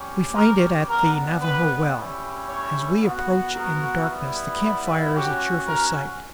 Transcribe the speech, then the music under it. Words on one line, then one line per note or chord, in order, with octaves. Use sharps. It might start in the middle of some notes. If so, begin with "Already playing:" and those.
We find it at the Navajo Well. As we approach in the darkness the camp fire is a cheerful sight.
Already playing: G3 C#4 G4
A#4
G3 B3 D4 A#4
B4
G3 C#4 E4 G4
C#5
B3 F#4
A#4
G3 B3 E4
C#4 F#4 G4
A#4